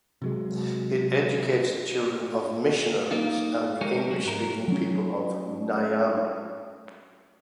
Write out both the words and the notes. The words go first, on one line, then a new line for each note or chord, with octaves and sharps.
It educates the children of missionaries and the English speaking people of Niamey.
C3 F#3 G#3
A#3 D#4 F4
G#3 G4 A#4 C#5
F#3
G#2 A#4
F#3 C#4